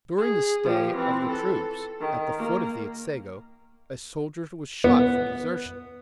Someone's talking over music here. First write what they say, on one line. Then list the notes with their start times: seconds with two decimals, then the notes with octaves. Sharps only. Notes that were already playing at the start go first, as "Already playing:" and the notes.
During the stay of the troops at the foot of the Otsego a soldier was shot for desertion.
0.18 G#4
0.65 F3 G4
0.95 E3 C4
1.30 A4
2.01 D#3
2.38 A#3
4.84 B3